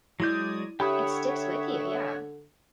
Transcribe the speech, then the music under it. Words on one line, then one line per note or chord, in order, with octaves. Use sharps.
it sticks with you, yeah.
F#3 G#3 E4 D5 D#6 G6 G#6
D3 G4 C#5 E5 F#5 G5 B5 D#6